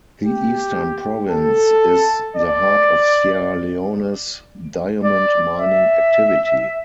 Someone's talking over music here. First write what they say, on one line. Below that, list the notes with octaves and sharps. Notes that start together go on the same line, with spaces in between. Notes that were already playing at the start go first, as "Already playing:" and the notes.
The Eastern Province is the heart of Sierra Leone's diamond mining activity.
G4
A4
D5
D5
E5